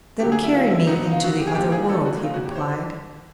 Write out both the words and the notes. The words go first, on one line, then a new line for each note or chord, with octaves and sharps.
'Then carry me into the other world,' he replied.
D3 F#3 B3 G4
G#4
E4
D3 F#3 B3 F4
E4
D3 F#3 B3 D#4
F4
D3 F#3 B3 F#4
G4
G#4
A#2 F3 G#3 C4 D#4 G4
G#4
A#2 F3 G#3 C4 D#4 A4
F#4
A#2 F3 G#3 C4 D#4 F4
F#4
G4
C#5
C5